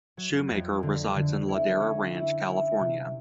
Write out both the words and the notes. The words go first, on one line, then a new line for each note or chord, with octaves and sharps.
Schumaker resides in Ladera Ranch, California.
F#3
F2
D3
D3
E4
C#4
E4
E4
C3